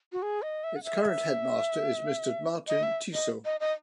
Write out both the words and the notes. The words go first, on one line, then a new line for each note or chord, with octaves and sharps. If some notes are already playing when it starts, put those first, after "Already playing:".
Its current Headmaster is Mr Martin Tissot.
F#4
G#4
D#5
E5
F#5
E5
D#5
E5
D#5
D#5
D#5